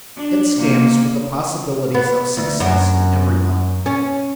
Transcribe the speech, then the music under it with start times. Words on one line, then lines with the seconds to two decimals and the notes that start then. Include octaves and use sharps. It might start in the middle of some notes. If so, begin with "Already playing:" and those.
It stands for the possibilities of success in every one.
0.16 D4
0.56 C3 A#3
1.94 B3
2.37 D2
2.60 F#2
3.86 C#4